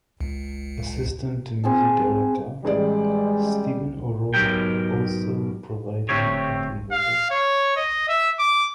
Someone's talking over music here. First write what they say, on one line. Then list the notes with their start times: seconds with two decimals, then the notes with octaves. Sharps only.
Assistant to Music Director: Stephen O'Rourke also provided backing vocals.
0.21 C#2
1.64 C4 G#4 G#5 A5
2.65 A1 G3 G#3 G#4 D5
4.34 G#2 B2 F#3 G4 A#4 G5
6.09 D3 A3 C4 G4 C#5
6.91 F5
7.30 C#5
7.76 D#5
8.09 E5
8.39 D6